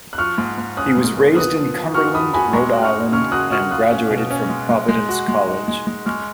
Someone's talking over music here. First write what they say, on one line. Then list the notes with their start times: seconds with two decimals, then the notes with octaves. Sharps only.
He was raised in Cumberland, Rhode Island and graduated from Providence College.
0.13 F#6
0.18 F3 C#6 F6
0.38 G#2
0.58 G#2
0.77 C#4 D#6 F#6
0.97 G#2
1.17 A#3
1.35 B3 D#6 F#6
1.56 F3
1.75 F3
1.94 F#4 C#6 F6
2.14 F3 B5 D#6
2.33 F#4 G#5 B5
2.53 G#3 A#5 C#6
2.73 F#4
2.83 C#6 F6
2.92 D#4
3.12 C#3 C#6 F6
3.32 F#4 D#6 F#6
3.52 F#4 C#6 F6
3.71 F4 D#6 F#6
3.91 C#4
4.10 B2
4.31 C#4
4.49 G#3
4.69 G#3
4.89 G#3
5.09 F#4
5.28 G#3
5.47 D#4
5.68 G#3
5.87 G#3
6.06 G#3 C#6 F6